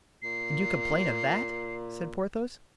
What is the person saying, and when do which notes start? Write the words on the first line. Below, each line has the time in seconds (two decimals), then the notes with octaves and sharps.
"And you complain of that!" said Porthos.
0.22 A#2 C7